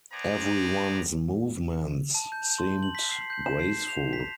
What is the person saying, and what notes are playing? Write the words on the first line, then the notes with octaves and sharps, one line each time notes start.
Everyone’s movements seemed graceful.
B3 C5 D5 G#5 A#5
A5
G6
C6
F#7
B6
C7
G6
E7
C7
F7
B6